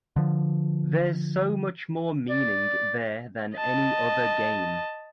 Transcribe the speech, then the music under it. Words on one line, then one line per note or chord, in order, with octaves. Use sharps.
There’s so much more meaning there than any other game.
D3 F3
D5
D#5 A5